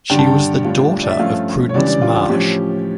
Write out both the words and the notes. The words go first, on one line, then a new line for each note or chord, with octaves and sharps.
She was the daughter of Prudence Marsh.
G2 D3 G3 D4 G5
A5
G5
A2 G3 D4 F4
D5
E5
G2 F3 A3 C#4 F4 F5
C#5
C#2 C#3 E3 G3 D4 D5
D5
F4
F4
A2 F3 C#4 G4